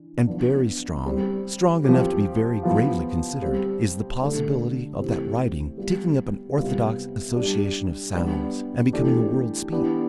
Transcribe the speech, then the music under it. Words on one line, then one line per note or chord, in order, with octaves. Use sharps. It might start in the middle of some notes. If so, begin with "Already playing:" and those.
And very strong--strong enough to be very gravely considered--is the possibility of that writing taking up an orthodox association of sounds, and becoming a world speech.
Already playing: E3 D4
F3 B3 D4
G3 C4 G4
F3 C4 G4
F3 B3 F4
G3 C4 G4
D3 A3 D4
C3 E3 A3 C4 G4
G3 B3 F4
C3 G3 B3 F4
G3 D4 G4
G3 B3 D4 G4
E3 A3 D4 G4
E3 B3 D4 G4